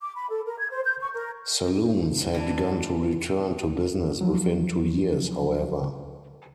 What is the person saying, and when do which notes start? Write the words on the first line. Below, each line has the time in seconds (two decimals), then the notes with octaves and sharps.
Saloons had begun to return to business within two years, however.
0.02 D6
0.15 B5
0.30 A4
0.46 A#4
0.59 G#6
0.71 C5
0.84 G6
1.01 C#6
1.13 A#4
2.34 E3 D4
4.21 F3 F#3